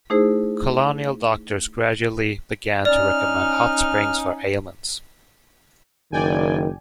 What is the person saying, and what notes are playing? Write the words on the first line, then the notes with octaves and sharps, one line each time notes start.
Colonial doctors gradually began to recommend hot springs for ailments.
A3 D#4 E4 G#4 C5
C#4 D#4 D5 F6
F#1 D#3 D5 G5 G#5